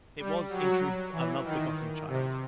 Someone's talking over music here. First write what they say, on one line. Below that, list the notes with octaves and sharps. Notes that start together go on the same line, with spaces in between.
It was, in truth, a love-begotten child!
G3
F#3
E3
D#3
C3